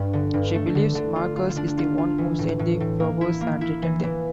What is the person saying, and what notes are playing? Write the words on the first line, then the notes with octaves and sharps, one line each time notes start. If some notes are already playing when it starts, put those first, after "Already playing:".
She believes Marcus is the one who sent the flowers and returns them.
Already playing: G2
D3
G2
A3
D3
D3
F4
F4
D4
F4
F4
E3
A2
A2
A2
A#3
E4
A#3
E4
E3
E3